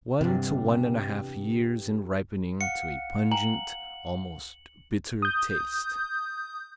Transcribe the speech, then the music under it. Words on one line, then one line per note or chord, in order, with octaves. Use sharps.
One to one-and-a-half years in ripening to a pungent, almost bitter taste.
E2 G2 C3
F5 F#5 C#7
G5 G#5 A#5 F#7
D#6 G6